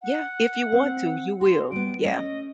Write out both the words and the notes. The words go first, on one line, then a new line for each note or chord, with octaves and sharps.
Yeah, if you want to, you will. Yeah.
F#5
C4
F#4 C6
G3 B3 D7
A3 C#4 D#5